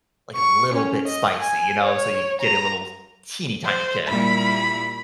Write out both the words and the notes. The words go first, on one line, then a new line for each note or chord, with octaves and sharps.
like a little bit spicy, you know, so you get a little teeny tiny kick.
C#6
C#4
D#5
G#5
C#5
A#5
C5
A#2 G3 E4 B5